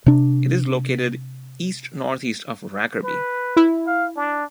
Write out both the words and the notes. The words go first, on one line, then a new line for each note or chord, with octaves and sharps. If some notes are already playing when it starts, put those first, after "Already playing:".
It is located east-northeast of Rackerby.
C3 D4
B4
E4
F5
D4